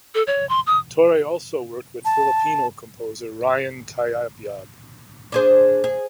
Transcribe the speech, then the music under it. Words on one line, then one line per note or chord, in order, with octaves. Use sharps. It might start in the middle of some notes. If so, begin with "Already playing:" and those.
Torre also worked with Filipino composer Ryan Cayabyab.
A4
C#5
C6
D#6
A5
D4 G#4 C5
G#4